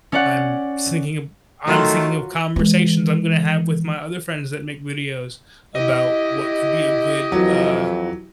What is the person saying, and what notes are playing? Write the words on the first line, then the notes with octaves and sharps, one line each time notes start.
I'm sinking of I'm thinking of conversations I'm gonna have with my other friends that make videos about what could be a good, uh,
C#4 D5 F#5
D#3 F#3 A3 F4 F#4
E3 G#3
E4 G4 D#5
F2 E3 F#3